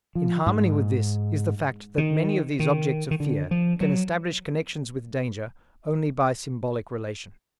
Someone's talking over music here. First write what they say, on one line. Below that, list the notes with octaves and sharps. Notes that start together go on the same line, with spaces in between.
In harmony with this is the fact that many of these objects of fear can establish connections with danger only by symbolic relations.
F3
G#2
D#3
D#3
D#3
D3
F3
F#3